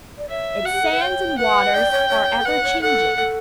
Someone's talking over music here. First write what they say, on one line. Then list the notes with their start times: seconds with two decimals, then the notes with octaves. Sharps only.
Its sands and waters are ever changing.
0.18 D5
0.29 C#5 E5
0.62 F#4 F#5
0.72 G4
0.82 A4
0.91 B4
1.01 C#5 G5
1.38 B4 F#5
1.73 D5 G5
1.91 C#5
2.09 C#5
2.39 A4
2.45 B4 F#5
2.64 C#5
2.82 A4 F#5
3.18 A4